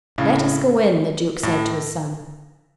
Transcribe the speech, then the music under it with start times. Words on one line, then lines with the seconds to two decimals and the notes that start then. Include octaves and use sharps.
"Let us go in," the duke said to his son.
0.18 A2 C#3
1.43 A2